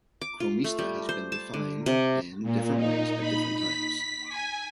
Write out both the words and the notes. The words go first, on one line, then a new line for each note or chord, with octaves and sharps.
Chromista has been defined in different ways at different times.
D6
F4
A3
G3
C5
A5
D3
C3
A#2
D#4
B5
B6
G#5